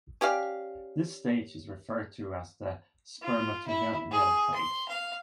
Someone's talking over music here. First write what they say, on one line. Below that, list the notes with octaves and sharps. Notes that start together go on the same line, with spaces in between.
This stage is referred to as the "spermatogonial phase".
C#4 G4 D5 F5
F4
E4
G#4
C6
F5